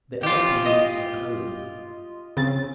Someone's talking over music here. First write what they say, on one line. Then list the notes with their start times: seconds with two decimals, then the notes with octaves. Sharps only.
The other police are coming.
0.23 F4 G4
0.66 D#5
2.37 C#3 C4 A6